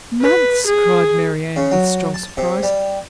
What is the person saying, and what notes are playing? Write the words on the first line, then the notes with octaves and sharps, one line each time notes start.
"Months!" cried Marianne, with strong surprise.
B4
G#4
C#3
F#3
A5
C3
G3